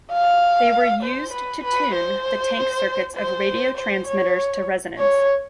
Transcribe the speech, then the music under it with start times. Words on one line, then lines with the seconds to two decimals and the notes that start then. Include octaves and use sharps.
They were used to tune the tank circuits of radio transmitters to resonance.
0.12 F5
1.03 C5
1.33 B4
1.64 B4
1.94 C5
3.16 C5
3.77 C5
4.07 C#5
4.98 C#5